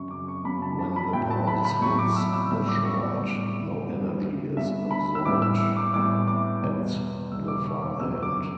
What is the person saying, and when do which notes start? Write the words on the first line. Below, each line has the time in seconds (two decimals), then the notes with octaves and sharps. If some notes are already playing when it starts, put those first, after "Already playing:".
When the pulse hits the short, no energy is absorbed at the far end.
Already playing: F#2 C#3 F#3 C#6
0.11 D6
0.28 C#6
0.45 F#2 C#3 F#3 B5
0.62 A5
0.79 A5
0.96 B5
1.13 A2 F#3 G5
1.30 A5
1.47 B5
1.65 B5
1.81 A2 F#3 C#6
1.99 D6
2.16 E6
2.33 E6
2.51 A2 G3 E6
2.68 D6
2.85 C#6
3.03 D5
3.20 A2 G3
3.87 G2 D3 G3
4.57 G2 D3 G3 E5
4.91 B5
5.15 E6
5.25 A2 E3 G3 D6
5.42 E6
5.77 D6
5.93 A2 E3 G3 D6
6.28 D6
6.62 E2 B2 G3
7.31 E2 B2 G3 E6
7.48 D6
7.65 C#6
7.83 D6
8.00 F#2 D3 F#3 E6
8.23 D6